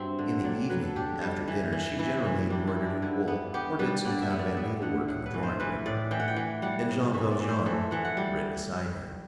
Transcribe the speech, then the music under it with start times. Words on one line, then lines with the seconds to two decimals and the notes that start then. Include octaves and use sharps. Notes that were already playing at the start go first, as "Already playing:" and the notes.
In the evening, after dinner, she generally embroidered in wool or did some convent needlework in the drawing-room, and Jean Valjean read beside her.
Already playing: G2 F#3 C4 E5
0.19 D3
0.44 F#3 D5
0.69 F#3 B4
0.82 A4
0.96 D4 G4
1.22 G3
1.48 E3
1.73 E3
1.99 E3 E4
2.25 E3
2.50 G3 D4
2.67 E4
2.76 E3
2.85 D4
3.02 D3 E4
3.28 B3
3.54 B3 G4
3.79 G3 B4
4.05 D3 D5
4.22 E5
4.31 B3
4.39 D5
4.57 B3 E5
4.82 D3 F#5
5.08 A2 F#5
5.26 B4
5.34 E3
5.43 C5
5.60 E3 B4
5.86 A2 D5
6.11 E3 G5
6.20 F#5
6.28 G5
6.36 E3
6.62 G3 F#5
6.89 A2
7.14 E3 E5
7.31 D5
7.40 E3
7.49 C5
7.66 E3 A4
7.91 E3 F#5
8.05 F#5
8.17 G3